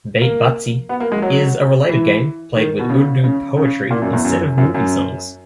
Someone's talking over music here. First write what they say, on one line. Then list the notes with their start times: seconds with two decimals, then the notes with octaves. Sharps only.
Bait Bazi is a related game played with Urdu poetry instead of movie songs.
0.22 A#3
0.89 B3
1.00 A#3
1.12 G#3
1.22 F#3
1.89 E3
2.56 D#3
2.79 B2
2.90 C#3
3.24 C#3
3.57 C#3
3.91 A#2
4.02 F#2
4.13 E2
4.25 F#2
4.58 F#2
4.74 F#2